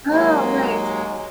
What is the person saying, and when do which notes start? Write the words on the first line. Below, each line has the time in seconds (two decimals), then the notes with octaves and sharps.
Oh, nice.
0.11 D#2 F#3 G#3 A#3